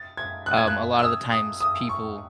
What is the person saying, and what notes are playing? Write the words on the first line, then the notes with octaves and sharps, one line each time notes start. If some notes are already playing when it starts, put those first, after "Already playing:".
um, a lot of the times, people
Already playing: A6
G#6
F#6
G#6
F#6
E6
D#6
D#6
D#6
C#6